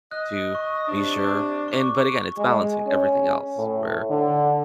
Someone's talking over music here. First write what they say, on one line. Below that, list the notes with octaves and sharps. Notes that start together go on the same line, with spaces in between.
to be sure and but, again, it's balancing everything else, where
D#5 F#6
C#6
C3 D4
C#6 D6
G#3
C#4
A2
D3